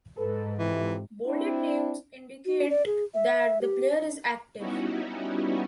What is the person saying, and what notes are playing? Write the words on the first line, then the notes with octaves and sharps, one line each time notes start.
Bolded names indicate that the player is active.
G#2 A4 B4
F2 C3 E3
C4 D4 E4
F#4
D5
G#4
E5
G4
G3 B3 C#4 D#4 E4 F#4